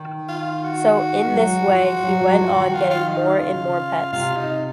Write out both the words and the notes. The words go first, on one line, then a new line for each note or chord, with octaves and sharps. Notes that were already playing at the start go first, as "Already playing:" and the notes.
So in this way he went on getting more and more pets.
Already playing: D#3
F4
F#4
G#3
F#3
F3
F#3
F#3
F3
D#3
F4
F4
D#4
F4
C#3
C3 F4
D#4